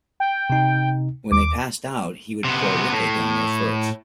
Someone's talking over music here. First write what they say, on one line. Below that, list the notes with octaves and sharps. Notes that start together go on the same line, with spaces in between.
When they passed out, he would pour liquor down their throats.
G5
C3 D#4
D#2 D6
C3 B3
A2